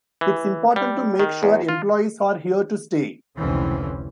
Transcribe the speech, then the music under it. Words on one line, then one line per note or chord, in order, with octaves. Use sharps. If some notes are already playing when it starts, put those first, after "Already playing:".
It's important to make sure employees are here to stay.
E3
G3
D#3
E2
F4
F1 C#2 D3 E3 C4 C#4